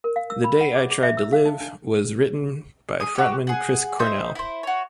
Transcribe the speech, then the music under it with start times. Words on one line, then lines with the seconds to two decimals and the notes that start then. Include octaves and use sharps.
"The Day I Tried to Live" was written by frontman Chris Cornell.
0.04 A#4
0.16 F5
0.30 E6
0.44 B5
0.61 F#5
0.75 G#4
0.91 G#4
1.03 E5
1.17 E6
1.33 F5
1.45 D#4
1.60 D4
3.00 G#4 D#6
3.15 F#4 G4
3.47 G#4 F#5
3.99 D#4 C5 E5 G6
4.35 E4 C5
4.63 F#4 C#5